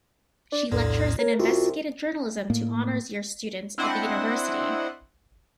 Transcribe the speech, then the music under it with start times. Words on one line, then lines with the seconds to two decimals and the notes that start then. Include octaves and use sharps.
She lectures in investigative journalism to honours year students of the University.
0.52 D4
0.72 B1 E2 A2 D3
1.19 A#4 C#5
1.39 C2 F4 F#4
2.50 A2 A#3
3.78 C4 D4 E4 C5 D#5 F#5